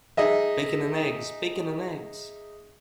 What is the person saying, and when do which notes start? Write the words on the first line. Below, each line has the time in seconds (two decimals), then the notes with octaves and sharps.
Bacon and eggs, bacon and eggs!
0.17 D#4 G#4 D#5 E5